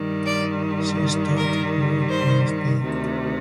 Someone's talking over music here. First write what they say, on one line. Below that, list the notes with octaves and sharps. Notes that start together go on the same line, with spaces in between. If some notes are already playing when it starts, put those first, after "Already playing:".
She started work the next day.
Already playing: G2 D#3 G3
D5
A#4
C5
D2 C3 D#3